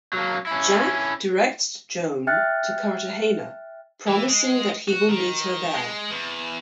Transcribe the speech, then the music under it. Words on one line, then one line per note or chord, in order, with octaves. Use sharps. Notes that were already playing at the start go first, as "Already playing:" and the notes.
Jack directs Joan to Cartagena, promising that he will meet her there.
F#3 A#3
C#4 E4
E5 G5 F6 F#6 A6 C#7
E3
G#3
F#4
D#3
G#3
E2